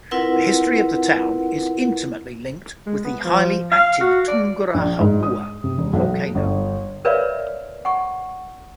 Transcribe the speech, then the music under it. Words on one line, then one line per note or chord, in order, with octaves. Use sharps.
The history of the town is intimately linked with the highly active Tungurahua volcano.
C4 E4 F4 A#4 B4 F#5
G#3
B3
F3
F5
F#4
D5
A#1
G#2
D#6
C3
E1
B1
G1
A#4 B4 C#5 D5 E5 F5
F#5 C#6